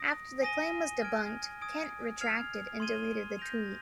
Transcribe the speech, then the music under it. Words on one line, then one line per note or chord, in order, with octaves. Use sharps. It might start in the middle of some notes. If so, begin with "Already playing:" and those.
After the claim was debunked, Kent retracted and deleted the tweet.
Already playing: D#6 A#6 D7
G#5 D#6 A#6 D#7 G7
F6 G#6 D7
D#6 G#6 D7
F6 G#6 C7 F7
C6 D#6 G#6 D#7 G7
G6 A#6 D7 F7